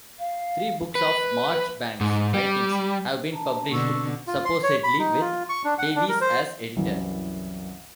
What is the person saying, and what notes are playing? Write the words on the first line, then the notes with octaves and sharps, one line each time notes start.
Three books of Marchbanks' writings have been published, supposedly with Davies as editor.
F5
B4
G#2
G3
D4 A5 A#5
B2 D3 C4 C#6 E6
F4
C6
C#5
B5
D#4
F4
C#6
D4
F#5
D4
A#4
C5
C2 F#2 E3